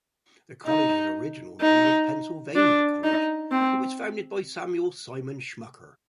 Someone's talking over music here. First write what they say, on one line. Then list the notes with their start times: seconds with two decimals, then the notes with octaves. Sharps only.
The college's original name was Pennsylvania College; it was founded by Samuel Simon Schmucker.
0.66 D#4
1.61 D#4
2.56 D4
3.03 D#4
3.51 C4